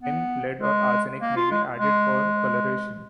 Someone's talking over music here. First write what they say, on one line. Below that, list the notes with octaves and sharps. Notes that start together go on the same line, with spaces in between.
Tin, lead or arsenic may be added for colouration.
B3
G#3
A#3
F4
G#3
G#3